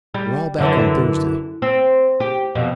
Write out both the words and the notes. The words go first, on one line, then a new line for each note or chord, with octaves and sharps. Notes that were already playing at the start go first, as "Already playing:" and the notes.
We're all back on Thursday.
G3
F#2 D3 E3
C4
G4
F2 B2